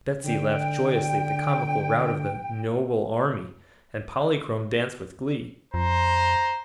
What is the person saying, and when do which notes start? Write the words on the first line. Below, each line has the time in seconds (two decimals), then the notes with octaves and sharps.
Betsy laughed joyously at the comical rout of the "noble army," and Polychrome danced with glee.
0.24 D3 G5
5.74 F2 C5 A#5